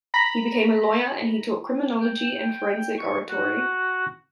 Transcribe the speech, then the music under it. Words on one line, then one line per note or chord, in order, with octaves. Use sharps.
He became a lawyer and he taught criminology and forensic oratory.
A#5 B5 A#6 B6
G5
C#6
F#4